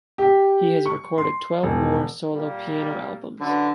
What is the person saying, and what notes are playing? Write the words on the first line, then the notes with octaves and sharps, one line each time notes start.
He has recorded twelve more solo piano albums.
G4
C#6
C6
E1
A#2 G3 A#3
F#2 D3 B4